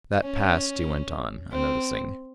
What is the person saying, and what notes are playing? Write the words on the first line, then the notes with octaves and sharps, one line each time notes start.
"That passed," he went on, unnoticing.
C#4
C4